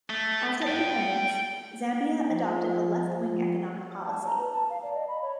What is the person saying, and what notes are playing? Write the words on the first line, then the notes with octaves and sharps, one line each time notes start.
After independence Zambia adopted a left-wing economic policy.
A3
G5 A5
F3
F3
A5
A#5
B4
A5
F5
D5
D#5
B5
C#5